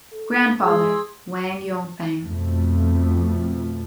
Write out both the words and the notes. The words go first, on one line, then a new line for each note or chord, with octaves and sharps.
Grandfather — Wang Yongfang.
A4
G#3 G#4 C6 E6
F2 B2 F3 A3